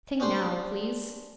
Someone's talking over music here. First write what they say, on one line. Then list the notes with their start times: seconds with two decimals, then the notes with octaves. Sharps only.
'Sing now, please.'
0.20 C#4 D4 G4 C5